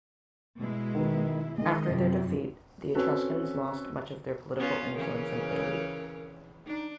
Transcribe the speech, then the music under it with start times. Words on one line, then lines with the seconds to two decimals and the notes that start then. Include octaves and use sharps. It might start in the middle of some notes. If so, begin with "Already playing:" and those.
After their defeat, the Etruscans lost much of their political influence in Italy.
0.59 B2 G#3 E4
0.95 D#3 B4
1.58 D#3 G#3 D#5
1.89 F#2 C3 F4
2.95 C4 C#4 F#4 A4 B4
4.58 B3 C#4 F4
4.94 C#3 E3 C#4 A#4
6.67 D4 D#4